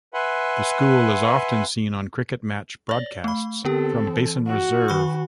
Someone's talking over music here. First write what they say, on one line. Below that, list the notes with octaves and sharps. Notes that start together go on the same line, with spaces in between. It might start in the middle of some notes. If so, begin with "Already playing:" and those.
The school is often seen on cricket match broadcasts from Basin Reserve.
B4 E5 F#5 G#5 B5 C6
C#5 D5
A3 B5
D3 B3 C4 G4 A4
E3
F#4
D#3 B5 C#6